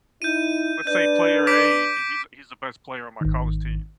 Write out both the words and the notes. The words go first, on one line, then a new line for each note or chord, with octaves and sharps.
let's say player A, he's he's the best player on my college team,
D#4 E4 G6 D#7
D4 B4 D5 G6
D6 B6 D7
G#1 D#3